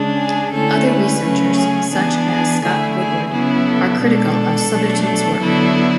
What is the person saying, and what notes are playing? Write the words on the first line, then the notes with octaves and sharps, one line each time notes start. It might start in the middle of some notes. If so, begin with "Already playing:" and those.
Other researchers such as Scott Woodward are critical of Southerton's work.
Already playing: C#3 G#3 D4
G#4
D3 A3 C#4 E4 A4
B4
C#3 F#3 A3 C#4
G#4
E3 B3 D4 G#4
G#4
D3 A3 E4 G#4
G#4
C#3 F#3 B3 E4 G#4
A4
B2 G#3 D4 A4
B2 F#3 A3 D4
A4
D3 F#3 B3 E4